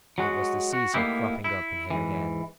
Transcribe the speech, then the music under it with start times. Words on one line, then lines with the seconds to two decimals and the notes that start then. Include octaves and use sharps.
It was the Caesar cropping up in him again.
0.18 F#3 G#3 F#4
0.73 F#4
0.94 A2 A#3 B3 D#4 E4 G4
1.44 E4
1.90 G#2 E3